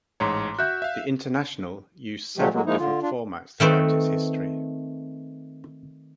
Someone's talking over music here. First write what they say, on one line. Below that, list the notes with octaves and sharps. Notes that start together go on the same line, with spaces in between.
The International used several different formats throughout its history.
A1 G#2 C#5 A#5 C6 D6
F#4 E5 F#6 G6
E5 F5
A#2 F3 F#3 G#3 A3 G4
F#3 G#3 A#3
F3 G#3 A#3 D#4 E4
D3 F4
D4 F4
D#3 A3 C4 B4